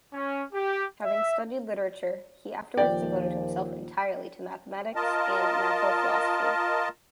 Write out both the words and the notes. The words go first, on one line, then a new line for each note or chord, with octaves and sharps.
Having studied literature, he afterwards devoted himself entirely to mathematics and natural philosophy.
C#4
G4
E5
D#2 A#2 F3 D5 G5
F4 A#4 D#5 A5